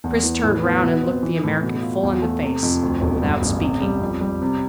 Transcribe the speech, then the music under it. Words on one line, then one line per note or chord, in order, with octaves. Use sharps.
Chris turned round and looked the American full in the face, but without speaking.
E2
E3
A2
B3
B2
C4
E3
A2
B2
F4
E2
A3
C3
F2
D2
E1
G2
A1
C3
G3
F2
G3
C3